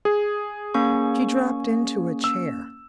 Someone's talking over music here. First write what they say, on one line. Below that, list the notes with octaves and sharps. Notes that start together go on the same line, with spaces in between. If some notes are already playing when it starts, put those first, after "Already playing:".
She dropped into a chair.
G#4
A#3 C#4 C#6
E6